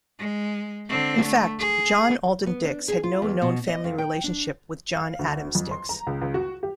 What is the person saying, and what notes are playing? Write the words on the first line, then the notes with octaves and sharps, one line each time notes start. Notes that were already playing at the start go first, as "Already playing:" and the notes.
In fact, John Alden Dix had no known family relationship with John Adams Dix.
G#3
D3 C4
A3
G#4
B3
D4
G#4
F4
E2
B2
D#5
F2
G5
D4
F5
D2
F2
C6
A#5
C#2
C#2
F#4
G4